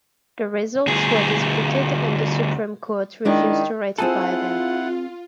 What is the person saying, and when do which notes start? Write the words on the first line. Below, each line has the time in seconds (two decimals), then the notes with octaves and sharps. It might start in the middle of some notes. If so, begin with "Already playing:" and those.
The results were disputed and the Supreme Court refused to ratify them.
0.87 D2 G#4
3.25 D#3 G#3 D4 E4
3.98 C4 E4 F4 G#4 A4 F#5